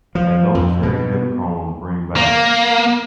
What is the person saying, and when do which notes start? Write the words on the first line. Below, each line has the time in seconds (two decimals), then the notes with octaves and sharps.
And those cherry-dip cones bring back
0.15 F3
0.55 F2
0.83 B2
2.16 A#3